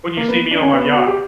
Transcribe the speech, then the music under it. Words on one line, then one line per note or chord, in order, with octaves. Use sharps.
When you see me on my yacht.
A#3
B3
D4
C#4
B3
B3
F#4
G4